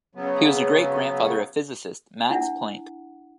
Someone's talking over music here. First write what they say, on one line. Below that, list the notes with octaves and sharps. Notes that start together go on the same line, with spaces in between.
He was the great-grandfather of physicist Max Planck.
C#3 F#3 B3
D4 E4 F#5